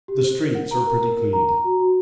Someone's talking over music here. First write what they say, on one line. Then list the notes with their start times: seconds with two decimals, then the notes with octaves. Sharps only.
The streets are pretty clean.'
0.08 G4
0.24 C5
0.39 A#4
0.55 F#5
0.71 A#5
0.86 A#4
1.02 A#4
1.17 A#4
1.33 A#5
1.48 A#5
1.64 F#4
1.80 F#4